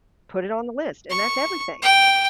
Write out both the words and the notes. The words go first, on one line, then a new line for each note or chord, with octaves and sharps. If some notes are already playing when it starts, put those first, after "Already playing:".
put it on the list, and that's everything.
C#6
G5